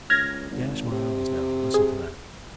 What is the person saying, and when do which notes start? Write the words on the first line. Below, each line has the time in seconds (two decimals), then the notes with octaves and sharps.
'Dash my eyes now; listen to that!
0.10 C#2 F6 G#6 A#6
0.51 G#1
0.92 C3
1.74 G#4